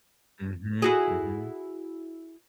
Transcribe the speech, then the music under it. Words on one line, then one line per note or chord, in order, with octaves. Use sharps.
Mhm, mhm.
E4 F#4 G#4